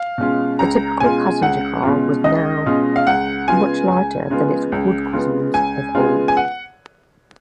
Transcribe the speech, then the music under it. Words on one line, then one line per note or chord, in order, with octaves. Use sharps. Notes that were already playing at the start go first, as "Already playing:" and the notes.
The typical passenger car was now much lighter than its wood cousins of old.
Already playing: F5
B2 G#3 C#4 F4
C#2 A#5
B2 G#3 C#4 F4 G#5
C#2 F#5
B2 G#3 C#4 F4
C#2 D#5
B2 G#3 C#4 F4
F5
C#2 F#5
C#3 G#3 B3 F4 G#5
C#2
C#3 G#3 B3 F4
C#2
C#3 G#3 B3 F4
C#2 G#5
C#3 G#3 B3 F4
G#5
F#5